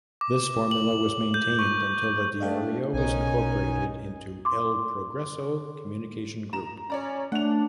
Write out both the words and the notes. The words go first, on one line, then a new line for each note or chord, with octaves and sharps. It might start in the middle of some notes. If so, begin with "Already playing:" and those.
This formula was maintained until the Diario was incorporated into "El Progreso" Communication Group.
D6
F#7
G6
C#6
A3 D4 D#5 F5 G5
B1 B2 C#4 D#4 A#4 G#5
C6 D6
A#5 E7
C#4 C#5 D5 A#5
A3 D4 F#5 F7